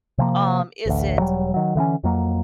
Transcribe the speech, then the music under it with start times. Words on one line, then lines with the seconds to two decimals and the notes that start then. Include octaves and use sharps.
Um, is it
0.18 C3 F3 A#3
0.86 A1 D2
1.18 E1 F#3 G3
1.54 D#3 F#3
1.76 D3 E3 C4 C#4
2.04 F2 F#3 A#3